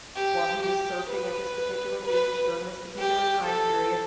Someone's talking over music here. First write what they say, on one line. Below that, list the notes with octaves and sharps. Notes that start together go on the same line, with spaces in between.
while he was surfing at this particular beach during this particular time period,
G4
G4
B4
B4
G4
A4